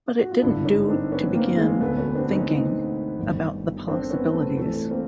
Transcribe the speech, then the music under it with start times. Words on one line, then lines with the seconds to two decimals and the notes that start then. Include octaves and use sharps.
But it didn’t do to begin thinking about the possibilities.
0.19 F#4
0.31 F4
0.42 G#1 G2 D3 D4 E4
0.65 C#4 D#4
0.88 C4 D4
1.12 B3 C#4
1.34 A#3 C4
1.57 G#3 A#3
1.80 E1 D2 D3 A3 B3
1.98 B3 C#4
2.15 C4 D4
2.32 C#4 D#4
3.18 G1 G2 D#3
3.88 C4 D4
4.10 B3 C#4
4.33 A3
4.57 F1 F2 C#3 E3 A3
4.91 A#3 C4